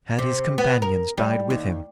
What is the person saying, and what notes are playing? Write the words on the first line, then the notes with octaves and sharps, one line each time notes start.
Had his companions died with him?
C3
B3
A#4
G3
D#2